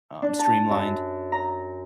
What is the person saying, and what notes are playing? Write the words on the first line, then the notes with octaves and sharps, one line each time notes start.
um, streamlined,
D4
A5
F#2
A#5